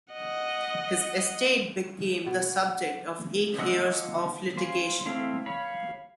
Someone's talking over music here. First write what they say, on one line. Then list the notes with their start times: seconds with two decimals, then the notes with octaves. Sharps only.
His estate became the subject of eight years of litigation.
0.14 D#5 F#5
2.26 B2 F#5
3.59 F3 D#5 F#5 E6 F#6
4.57 C#4 F4 C5
5.06 E3 A3 C4 E4 F5
5.46 C#5 F5 B5